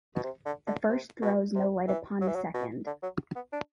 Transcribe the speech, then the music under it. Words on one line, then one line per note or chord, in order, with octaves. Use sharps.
The first throws no light upon the second.
B2
C3
D3
D3
C3
B2
C3
E3
F#3
E3
F#3
B2
D3
F#3
B3
D4